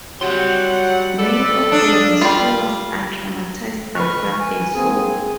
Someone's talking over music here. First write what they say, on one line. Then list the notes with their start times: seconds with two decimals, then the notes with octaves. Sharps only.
Many of the rescuers are traumatized by what they saw.
0.21 F#3 G3 G4 F#5 C6
1.18 A4 B4 D5
1.72 D4 F4 F5 D#6
2.21 G3 F4
3.95 B4 C#6 F6 F#6
4.39 G#5
4.75 A#3 C4 G#4 G#5